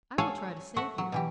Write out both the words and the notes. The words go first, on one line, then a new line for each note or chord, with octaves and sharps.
I will try to save you.
A4 C#5 F5 F#5 G#5 A5
A3 F#4 E5 F#5
F#3
B2 E3 G4